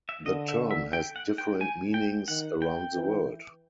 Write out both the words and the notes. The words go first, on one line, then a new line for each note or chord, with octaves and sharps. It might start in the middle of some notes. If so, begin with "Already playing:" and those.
The term has different meanings around the world.
E5
D3 D#5
E5
E5
G5
F#5
G5
G#5
G5
D#3 F#5
G5
E3